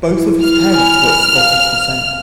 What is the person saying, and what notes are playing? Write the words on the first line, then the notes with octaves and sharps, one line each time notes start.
Both of his parents were of Scottish descent.
E4
F6
G#5 B5
F5